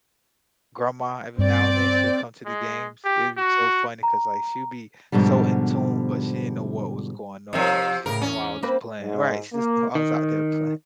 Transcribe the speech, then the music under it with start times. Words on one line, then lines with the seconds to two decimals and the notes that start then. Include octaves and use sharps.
grandma, every now and then she'll come to the games. It was so funny 'cause, like, she'd be so in tune, but she didn't know what was going on. She just knew I was playing right, she just knew I was out there playing.
1.38 G2 C4 D5
2.45 G#3
3.05 G4
3.37 F#4
4.03 A#5
5.12 G#2 B2 D3 F3 G3
7.53 C3 F3 D#4 A#4 C#5
8.06 A2 C#3 A#4
8.22 E2 C#4
8.63 A#3 C4 B4
9.02 G#2
9.53 A#3
9.95 D#3